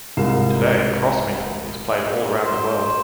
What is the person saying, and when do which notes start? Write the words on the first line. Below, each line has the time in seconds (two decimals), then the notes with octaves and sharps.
Today, Crossminton is played all around the world.
0.17 C2 G#2 F4 A#4 C7 E7
2.45 C5